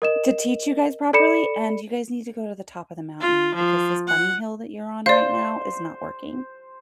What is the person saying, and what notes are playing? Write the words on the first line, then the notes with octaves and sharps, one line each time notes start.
to teach you guys properly, and you guys need to go to the top of the mountain because this bunny hill that you're on right now is not working,
A#4 D#5 E7
A4 D5 B5 C#7 E7
F4
F3
F#5
C5 D5 F5